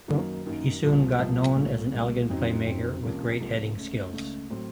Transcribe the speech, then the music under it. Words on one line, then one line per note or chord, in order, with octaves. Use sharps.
He soon got known as an elegant playmaker with great heading skills.
F#2 D#3 F#3 A#3 D#4
F#2 D#3 F#3 A#3 D#4
C2 A#2 F3
C2 A#2 F3
C2 A#2 A3
C2 A#2 A3
F2 C#3 F#3 C4 D#4
F2 C#3 F#3 C4 D#4
C#2 C3 F3 A#3 C#4
C#2 C3 F3 A#3 C#4
C#2 C#3 A3
C#2 C#3 A3
A2 F#3 C4